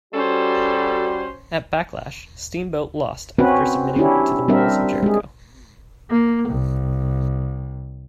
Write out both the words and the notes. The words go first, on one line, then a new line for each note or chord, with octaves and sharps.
At Backlash, Steamboat lost after submitting to the Walls of Jericho.
G3 C#4 F#4 A4 C5
C4 C#4 F#4 B4
C#4 D4 E4 G4
G3 C4 D4 A#4 E5
G#3 G#4
A#3
C2